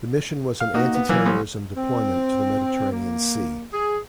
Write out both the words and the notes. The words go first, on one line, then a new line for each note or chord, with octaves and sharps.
The mission was an anti-terrorism deployment to the Mediterranean Sea.
F5
A#3 D#4 F#4
B3
E3 F#3 A#3
C2
C4
A#3
G#4